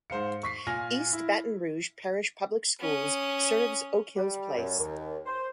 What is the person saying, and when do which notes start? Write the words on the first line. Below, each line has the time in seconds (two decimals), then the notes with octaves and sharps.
East Baton Rouge Parish Public Schools serves Oak Hills Place.
0.10 G#2 C5 F5 C#7
0.43 C#6 B6 C7
0.67 A#2 G#5 F6 A#6
1.13 E4
2.80 C#4 D#6
4.16 G3
4.56 F#2
4.78 D#2
5.26 C5